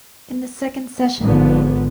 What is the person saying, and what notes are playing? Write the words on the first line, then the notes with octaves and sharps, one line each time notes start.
In the second session.
G#1 G#2 D3 F3 B3